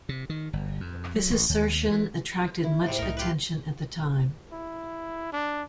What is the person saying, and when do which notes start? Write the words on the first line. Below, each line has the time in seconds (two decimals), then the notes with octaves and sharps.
This assertion attracted much attention at the time.
0.09 C3
0.30 D#3
0.53 G1
0.80 F2
1.16 F#3
1.31 A1
1.49 D#2
1.91 E3
2.64 E4
2.87 G#2 C3
2.99 C2 A2 D#4 A#4
3.17 F4 G4 B4
4.52 E4
5.33 D4